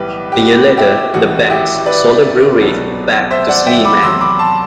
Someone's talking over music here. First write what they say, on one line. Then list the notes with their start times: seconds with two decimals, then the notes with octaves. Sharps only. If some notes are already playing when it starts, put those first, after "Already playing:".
A year later the banks sold the brewery back to Sleeman.
Already playing: B1 A2 E3 G3 G4 B4
0.32 G4
0.42 F#4
0.77 E4 G4
1.14 A1 A2 E3 F#4
1.50 E4 G4
1.86 B4 D5
2.58 C2 B2 F#3
3.31 C5 E5
3.48 D5 F#5
3.67 E5 G5
3.85 B5 D6
4.03 E2 C3 F#3 C6 E6
4.21 B5 D6
4.39 A5 C6